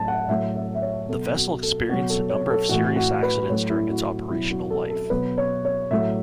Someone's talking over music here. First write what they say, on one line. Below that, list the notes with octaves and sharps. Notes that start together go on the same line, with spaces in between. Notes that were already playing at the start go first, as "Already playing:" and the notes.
The vessel experienced a number of serious accidents during its operational life.
Already playing: A2 F#3 A5
F#5
A2 F#3 E5
E5
E5
C#5
B2 F#3 A4
F#4
A4
B2 F#3 F#4
A4
C#5
A4
A2 E3 F#4
F#4
B4
A2 F#3 C#5
E4
F#4
F#4
B2 F#3 E4
F#4
A4
A4
B2 F#3 B4
C#5
C#5
A2 F#3 E5